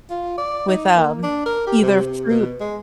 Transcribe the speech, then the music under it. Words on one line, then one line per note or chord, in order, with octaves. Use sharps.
with, um, either fruit
F4
D5
D#4
A#3
D4
A#4
G4
C3
C3
B2
G#3